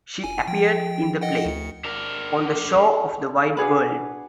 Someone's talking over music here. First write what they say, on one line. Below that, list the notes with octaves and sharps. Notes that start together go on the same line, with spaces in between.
She appeared in the play, "On the Shore of the Wide World".
F1 G#5
F3 G5
D#5 F#5 G5
D2 C#7
D4 A#4
D4 F#4 G#4 B4